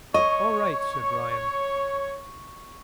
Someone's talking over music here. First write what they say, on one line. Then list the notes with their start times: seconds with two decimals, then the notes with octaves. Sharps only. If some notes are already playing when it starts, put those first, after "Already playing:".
"All right," said Ryan.
0.14 C#5 D#5 C#6